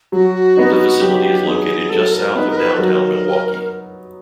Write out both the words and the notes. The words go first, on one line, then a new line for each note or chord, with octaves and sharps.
The facility is located just south of downtown Milwaukee.
F#3 F#4
B3 D#4
F#3 G4
B3 D#4 G#4
F#3 A4
A#4
B3 D#4 B4
A#4
B4
A4
F#3 A#4